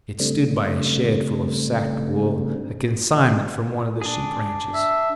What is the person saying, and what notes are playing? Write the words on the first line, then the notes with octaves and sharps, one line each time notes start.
It stood by a shed full of sacked wool, a consignment from one of the sheep ranches.
C#3 G3 A3 C4 D4
D4 G#4
E5